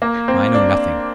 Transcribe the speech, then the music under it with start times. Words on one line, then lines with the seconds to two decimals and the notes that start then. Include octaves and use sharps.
"I know nothing."
0.02 A#3
0.28 C4
0.54 D4